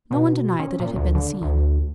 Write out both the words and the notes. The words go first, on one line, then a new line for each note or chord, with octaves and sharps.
No one denied that it had been seen.
B2
C#4
A#2
D2
D3
D2